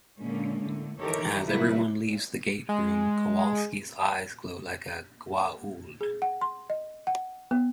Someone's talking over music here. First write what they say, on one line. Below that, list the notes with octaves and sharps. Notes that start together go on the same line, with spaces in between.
As everyone leaves the gate room, Kawalsky's eyes glow like a Goa'uld.
A#2 D3 G#3 A#3 C#4
A2 D3
D#3 E3 G4 A4 A#4 C#5
C3 F#3 G3 A#3 E4 B4
G#3
G#4
F#5
C6
D#5
F#5
B3